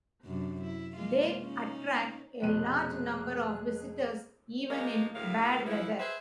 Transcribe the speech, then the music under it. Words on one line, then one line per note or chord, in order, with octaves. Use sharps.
They attract a large number of visitors even in bad weather.
F#2 C3 D4
E4
G#3 A#3 F4
C#4 D#4
F1 B2 G#4 F#6 D#7
F3 G#3 A#3
D2 A2 C#3 A#4 F5
E3 F3 E4
G#4 B4 C5 E5